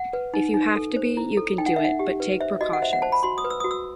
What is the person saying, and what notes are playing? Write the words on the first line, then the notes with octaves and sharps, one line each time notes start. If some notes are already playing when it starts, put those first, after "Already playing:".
If you have to be, you can do it, but take precautions.
Already playing: F#5
B4
D#4
D#4
A4
C5
E4
A4
D#4 G5
F#5
D#4 E5
F#5
G4
B4
C5 E5
F#4 D#5
F#5
C5 E5
F#5
C5 A5
B5
F#4 C6
D#6
B4
E6
F#4 D#6
E6